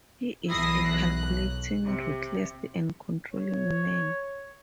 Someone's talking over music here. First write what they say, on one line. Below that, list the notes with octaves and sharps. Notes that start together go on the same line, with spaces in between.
He is a calculating, ruthless, and controlling man.
B1 E2 E4 D#6 A#6 C7
B1 F#6
C3
C#5